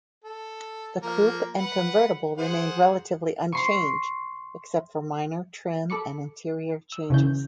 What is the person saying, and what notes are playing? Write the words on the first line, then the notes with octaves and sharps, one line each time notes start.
The coupe and convertible remained relatively unchanged except for minor trim and interior changes.
A4
F3 A#3 A#4
B4 F#5
G#4 C5 F#5
C6 C#6
A4 B5 D6 C#7
E6
C#3 E3 C#4 G6